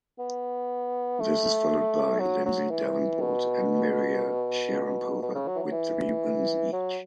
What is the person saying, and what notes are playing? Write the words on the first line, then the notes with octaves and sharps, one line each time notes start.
This is followed by Lindsay Davenport and Maria Sharapova with three wins each.
B3
A3
F#3
F#3
E3
B2
B2
C#3
F#3
E3
F#3
E3
F#3